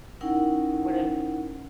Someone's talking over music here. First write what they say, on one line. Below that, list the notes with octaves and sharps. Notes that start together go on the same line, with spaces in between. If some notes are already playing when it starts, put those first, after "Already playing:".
It would've
C#4 D#4 E4 A#4 F#5 G5